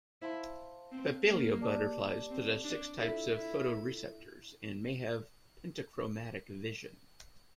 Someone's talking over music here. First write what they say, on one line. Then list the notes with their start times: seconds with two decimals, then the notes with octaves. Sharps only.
Papilio butterflies possess six types of photoreceptors and may have pentachromatic vision.
0.21 E4 C5 F5 A5 C6
0.91 C4
1.26 A#3
1.61 G4 D5 A5 D6
2.30 C4
2.64 D4
2.99 E4 F4 A4 E5
3.34 E4